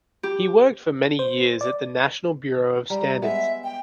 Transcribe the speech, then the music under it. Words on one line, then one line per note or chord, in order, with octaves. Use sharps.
He worked for many years at the National Bureau of standards.
G4
C5
D5
G3 A#5
G#3 B3 E5
G5